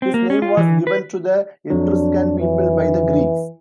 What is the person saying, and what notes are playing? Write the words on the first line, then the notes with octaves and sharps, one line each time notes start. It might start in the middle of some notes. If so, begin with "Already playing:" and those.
His name was given to the Etruscan people by the Greeks.
C4
A#3
C#4
F4
E3
B4
F2 F#3 D4
E3